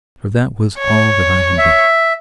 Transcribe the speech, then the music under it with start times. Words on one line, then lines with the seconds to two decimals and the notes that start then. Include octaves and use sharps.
For that was all that I had been.
0.79 C#5
1.58 E5